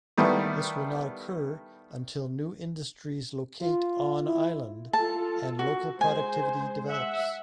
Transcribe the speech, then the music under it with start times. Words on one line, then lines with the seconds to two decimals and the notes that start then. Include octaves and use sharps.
This will not occur until new industries locate on island and local productivity develops.
0.18 D#3 G3 A3 B3 E4
3.62 F4
4.26 E4
4.93 F4 A4 A5
5.59 F#4
6.01 G#3 C5 G#5
6.88 E5 F#5